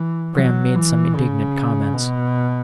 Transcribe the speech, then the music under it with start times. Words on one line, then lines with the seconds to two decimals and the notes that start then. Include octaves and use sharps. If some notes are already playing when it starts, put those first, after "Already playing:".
Graham made some indignant comments.
Already playing: E3
0.35 F#3
0.75 E3
1.15 C#3
1.94 B2